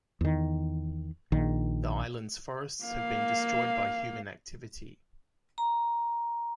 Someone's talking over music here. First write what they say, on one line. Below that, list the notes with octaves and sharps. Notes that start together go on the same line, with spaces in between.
The island's forests have been destroyed by human activity.
E2 D#3
A#1 D#3
A#3 F5
A#5